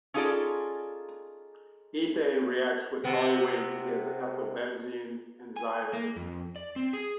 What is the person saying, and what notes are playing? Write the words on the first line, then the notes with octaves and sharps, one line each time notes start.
Ethane reacts with toluene to give ethylbenzene and xylene.
C#4 D#4 F4 G#4 A4 D5
C3 B3
G#5
A#3
F2
D5
C4
G#4